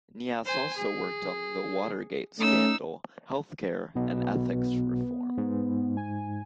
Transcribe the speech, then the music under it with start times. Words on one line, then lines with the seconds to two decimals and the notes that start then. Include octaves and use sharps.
Neas also worked on the Watergate scandal, health care, and ethics reform.
0.45 C5 G#5
0.77 G#4
2.39 A3 C#4 D#4 E6
3.95 B1 B2 B3
5.38 G#2
5.97 G#5